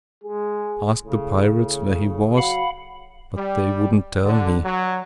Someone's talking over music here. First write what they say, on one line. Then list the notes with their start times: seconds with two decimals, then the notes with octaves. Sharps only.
I asked the pirates where he was; but they wouldn't tell me.
0.24 G#3 G#4
1.04 A2 C#3
2.37 F#3 F5 F#5 B5
3.37 G3
4.24 D3
4.64 F#3